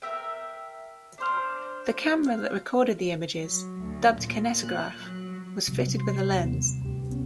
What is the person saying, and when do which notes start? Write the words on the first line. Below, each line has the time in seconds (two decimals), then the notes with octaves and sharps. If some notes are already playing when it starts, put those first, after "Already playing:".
The camera that recorded the images, dubbed "Kinetograph", was fitted with a lens.
0.02 A#4 E5 G5
1.18 D4 C5 F6
2.26 F5
3.40 F#3
3.80 D2
4.11 A#2
4.65 F#6
4.98 F#3
5.68 C3 F#3 G3
5.97 C6 C7
6.31 D#2 B3 E7
6.81 D2 G2 G4
7.09 C2 B3 C#4